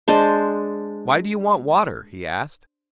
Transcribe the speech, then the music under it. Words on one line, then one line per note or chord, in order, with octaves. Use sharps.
"Why do you want water?" he asked.
G#3 D4 C5